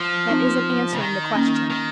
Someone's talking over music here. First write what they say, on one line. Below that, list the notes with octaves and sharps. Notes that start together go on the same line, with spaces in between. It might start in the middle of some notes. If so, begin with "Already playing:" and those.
"That isn't answering the question."
Already playing: F3
C4 D#4
C#3
D#3
A#3 C#4
D#3